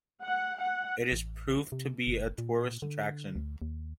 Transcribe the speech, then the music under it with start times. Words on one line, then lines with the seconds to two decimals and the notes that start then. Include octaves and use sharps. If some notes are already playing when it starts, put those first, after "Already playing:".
It has proved to be a tourist attraction.
0.24 F#5
0.59 F#5
1.12 A1
1.72 C3
2.07 F#1
2.38 A#2
2.82 D3
3.36 D2
3.62 D#2